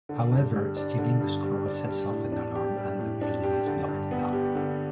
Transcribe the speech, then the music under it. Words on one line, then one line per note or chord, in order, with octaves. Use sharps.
However, stealing the scroll sets off an alarm and the building is locked down.
D3
G2
G3
D4
D3
G2
G3
D4
G3
A2
D4
G4
G3
A2
D4
G4
D3
G2
B3
G4
D3